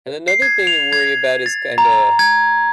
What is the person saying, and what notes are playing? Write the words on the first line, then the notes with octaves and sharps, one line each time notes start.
And another thing to worry about is, kinda,
C7
G#6
F7
G#6
A6
A#5
G#6